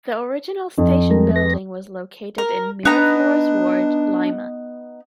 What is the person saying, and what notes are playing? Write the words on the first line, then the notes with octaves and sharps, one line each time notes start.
The original station building was located in Miraflores Ward, Lima.
F2
G3 G#3 A#4
B4 A#6
A#4
B3 D4 D#4 A#5